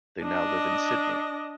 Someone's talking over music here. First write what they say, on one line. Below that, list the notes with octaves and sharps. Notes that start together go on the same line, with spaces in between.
They now live in Sydney.
D4 D#5